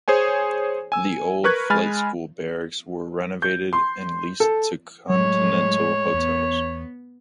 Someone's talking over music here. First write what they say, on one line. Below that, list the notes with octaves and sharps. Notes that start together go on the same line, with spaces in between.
The old flight school barracks were renovated and leased to Continental Hotels.
G#4 C5 C#5 G#5
G#5 E6
A#4 B4 C#6 F#6 G#6
G#3 G#5 B5 F6 A6
G6
C6
A4
A2 F#3 G#3 C#5
E2 B3